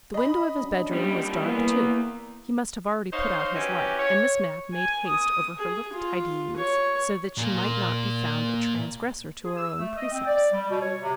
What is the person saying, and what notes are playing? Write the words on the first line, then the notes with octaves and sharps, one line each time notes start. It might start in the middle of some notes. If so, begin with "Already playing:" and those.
The window of his bedroom was dark too: he must have already put out his light, and Miss Mapp made haste over her little tidyings so that she might not be found a transgressor to her own precepts.
D#5 B5
F#3 C#4 D4
D#2 G3
E3 A#3 B3
D#4 C5 C#5 F5
E3 C#4 F#4 G4
C#5
G#5
D#6
G#4
F4
C#5
A#2 A#3
G#4
E6
A3
D#5
C4
D5
G3
B2
C#5
C3